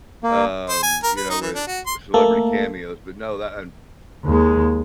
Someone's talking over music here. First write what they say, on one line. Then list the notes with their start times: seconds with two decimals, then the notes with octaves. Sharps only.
um, you know, with celebrity cameos, but no, that and
0.24 A#3
0.69 C5
0.83 G#5
1.03 A#4
1.17 B4
1.30 D#4
1.41 E3
1.54 D4
1.67 F#4
1.86 C6
2.14 A3 A#3 A4
4.25 D#2 G#3